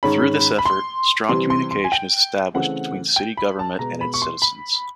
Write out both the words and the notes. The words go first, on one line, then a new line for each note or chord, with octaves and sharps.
Through this effort, strong communication is established between city government and its citizens.
G#2 D#3 G#3 C#4 B5
B5
C6
C3 E3 G3 C4 C6
C6
C6
G#5
G5
C#3 E3 A3 C4 F#5
G5
B5
A5
B2 G#3 B3 A#5
B5
C#6
C6
B5